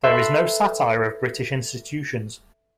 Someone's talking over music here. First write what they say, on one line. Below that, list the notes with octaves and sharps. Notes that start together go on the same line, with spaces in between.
There is no satire of British institutions.
A4 B4 E5 C6